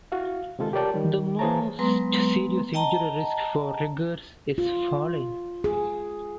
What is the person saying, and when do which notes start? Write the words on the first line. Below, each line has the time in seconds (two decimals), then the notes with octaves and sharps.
The most serious injury risk for riggers is falling.
0.12 E4 F#4 F5
0.59 C3 D#3 G#3 F4 A4
0.73 G4 A#4 C#5 D5 G5 A5
0.94 D#3 G3
1.39 E3 G#4 C5 C#5 A5 A#5
1.79 F#3 G#3 B3 B4 A#5 C6
2.74 D#5 G5 A5 A#5
4.58 F4
5.64 G#4